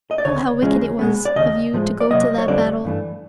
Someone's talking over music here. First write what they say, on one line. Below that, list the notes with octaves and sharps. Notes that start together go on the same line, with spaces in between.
Oh! how wicked it was of you to go to that battle!
D#5
D5
D2 C#3 C#5
E2 C#3 F3 G#3 C#4
B2 G#3 B3
D5
D#2 C#3 D#5
A2 F3 G#3
D5
C3 D#3 F#3 A#3 D#5
C#5
F2 D3 G3 C4 D5
G2 E3 A3